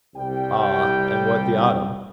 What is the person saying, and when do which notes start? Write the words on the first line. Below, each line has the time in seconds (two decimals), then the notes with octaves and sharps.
Ah! and what the autumn?
0.15 C2 G3 G5